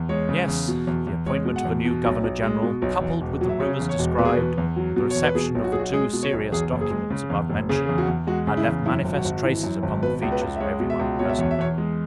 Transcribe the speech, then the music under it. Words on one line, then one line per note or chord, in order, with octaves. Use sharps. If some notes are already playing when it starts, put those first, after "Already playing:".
Yes, the appointment of a new Governor-General, coupled with the rumours described and the reception of the two serious documents above-mentioned, had left manifest traces upon the features of every one present.
Already playing: E2
G#3 C#5
C#3
E2
B2
E2
E2
G#3 C#5
B2
F#5
E2
B2
B1
B1
G#3
B2
B1
E2
E1
F#3
E5
C#3 C#5
E2
C#5
E1
B2 B4
G#4
E2 B4
E2
F#3
B2
E2 C#5
B4
B2 G#4
B1
F#4
B1 G#4
F#4
G#3 G#4
B2
C#5
B1
E2 G#4
F#1
G#4
G#3
C#3
E2
F#1
C#3 G#4
E2 G#4
F#4
E2
G#3 F#4
C#3
E4
E2
F#2 E4
G#1
F#4
G#1
E3
F#2
G#1
B2 B4
C#2
B4
C#2
E5
G#3 C#5
B2
E5
C#2
B2 C#5
E5
E2 C#5
E5
E2 C#5
G#3